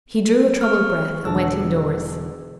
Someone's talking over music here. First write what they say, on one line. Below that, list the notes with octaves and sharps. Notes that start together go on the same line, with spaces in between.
He drew a troubled breath, and went in-doors.
C#6 F6
E1 D3 G#4 A5 E6